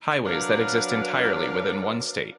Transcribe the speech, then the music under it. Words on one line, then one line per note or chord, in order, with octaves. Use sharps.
Highways that exist entirely within one state.
F#3 D4 A#4 B4 F5